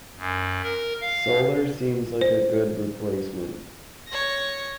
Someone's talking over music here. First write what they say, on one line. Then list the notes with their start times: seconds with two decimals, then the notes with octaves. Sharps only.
Solar seems like a good replacement.
0.18 F#2
0.63 A#4
1.01 F5
2.21 C5
4.08 C#5 A#6